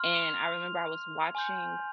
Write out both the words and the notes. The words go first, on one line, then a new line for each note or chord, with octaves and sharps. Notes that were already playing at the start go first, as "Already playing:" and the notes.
and I remember I was watching
Already playing: C6 F6
F7
G#5 C6 G6